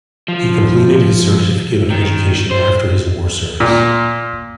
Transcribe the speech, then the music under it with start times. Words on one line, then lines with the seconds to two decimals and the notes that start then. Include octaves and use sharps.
He completed his Certificate of Education after his war service.
0.28 F3
1.90 D#3
2.52 C5
3.60 A#2